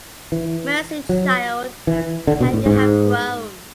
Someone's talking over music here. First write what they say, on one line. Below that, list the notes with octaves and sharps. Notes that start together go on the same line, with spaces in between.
Mercy, child, how you have grown!
E3
F#3
E3
D3
B2
A2
G#2